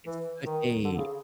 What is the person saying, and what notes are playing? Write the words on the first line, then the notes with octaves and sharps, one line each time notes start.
it's such a
E3
D#3
D3
C#3